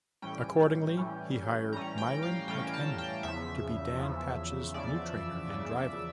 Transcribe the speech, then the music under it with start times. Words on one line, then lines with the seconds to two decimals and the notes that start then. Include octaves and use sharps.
Accordingly, he hired Myron McHenry to be Dan Patch's new trainer and driver.
0.22 A2 E3 G3 C#4 G5
0.97 A2 E3 G3 C#4
1.72 A2 E3 G3 C#4 A#5
1.98 G5
2.23 F5
2.48 A2 E3 G3 C#4 G5
2.74 A5
2.98 G5
3.23 E2 C#3 F3 E5
3.98 E2 C#3 F3
4.74 E2 C#3 F3 D5
5.50 E2 C#3 F3